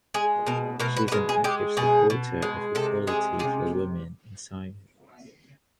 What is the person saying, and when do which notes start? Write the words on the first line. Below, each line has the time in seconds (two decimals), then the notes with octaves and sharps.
She is an active supporter of equality for women in science.
0.14 G#3 G#4
0.47 B2 A#4
0.80 B2 A#4
0.97 B4
1.08 B4
1.12 G#3 A#4
1.29 G#4
1.44 G#3 G4
1.77 B2 G#4
2.10 B2
2.42 G#3
2.75 C3 A4
3.07 G#3 G#4
3.39 C3 G#4